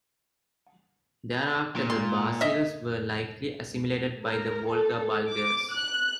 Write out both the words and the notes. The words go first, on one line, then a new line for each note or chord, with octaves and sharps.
Thereafter the Barsils were likely assimilated by the Volga Bulgars.
A#2
C6
D#5 E5
A#4
A4
D6
F#6